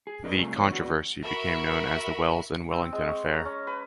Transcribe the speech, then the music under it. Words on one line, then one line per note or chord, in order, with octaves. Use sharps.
The controversy became known as the Wells and Wellington affair.
G#4
D4 A#4 B4 D#5
C3 G3 A3 F4 G#4 A#4
E2 D3 C#5
D3 B3 F#4
F#4 A#4 E5 B5 C#6
C4
G#3
C#6
A#5
C#4
B4